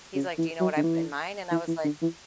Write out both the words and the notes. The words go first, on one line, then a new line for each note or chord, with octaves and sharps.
He's like, "Do you know what I put in mine?" And I was like
C#3
E3
F#3
D3
E3
E3
E3
D3
E3